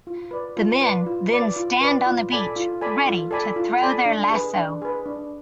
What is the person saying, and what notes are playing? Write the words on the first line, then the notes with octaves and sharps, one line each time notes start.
The men then stand on the beach ready to throw their lasso.
F4
B4 D5
F4
B4 D5
F4
B4 D5
F4
B4 D5
F4
A4 D5 G#5 B5
F4
A4 D5 G#5 B5
F4
A4 D5 G#5 B5
F4
A4 D5 G#5 B5
D4
G#4 B4
D4
G#4 B4
D4